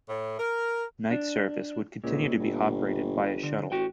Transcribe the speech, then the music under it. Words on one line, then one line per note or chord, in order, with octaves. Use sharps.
Night service would continue to be operated by a shuttle.
A2
A#4
D4
C#2 A#2
G1
D3
A1 F#4 G5